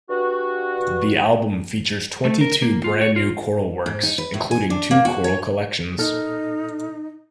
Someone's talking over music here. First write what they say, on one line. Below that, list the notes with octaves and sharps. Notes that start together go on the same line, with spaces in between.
The album features twenty-two brand new choral works including two choral collections.
G2 F#4
A3
A#4
A#3
F4
C#5
F4
G#2
D#4
B4
A2
G#5
D4
A#3
F#4
C#5
A#2 D#4 A4 F6